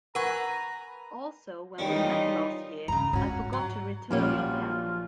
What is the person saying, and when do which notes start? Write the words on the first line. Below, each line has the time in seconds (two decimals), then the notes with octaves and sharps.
Also when we met last year, I forgot to return your pen.
0.15 A#4 B4 F#5 G#5 A#5 C#6
1.78 D#3 E3 G3 C#4 D#4 F4
2.88 E2 G2 C#3 A#5
3.13 G#2 C#4 F#4
3.53 F#3
4.11 A#1 A#2 F#3 G3 A#3 C#4 F4